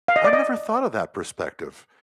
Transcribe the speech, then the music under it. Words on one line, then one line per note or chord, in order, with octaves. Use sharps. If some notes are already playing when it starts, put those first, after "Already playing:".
I've never thought of that perspective.
F5
D#5
D5
D#5